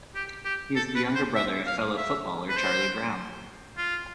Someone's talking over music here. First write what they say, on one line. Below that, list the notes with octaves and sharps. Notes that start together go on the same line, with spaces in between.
He is the younger brother of fellow footballer Charlie Brown.
G4
G4
A4
B4
C5
E5
F5
E5
B4
C5
F4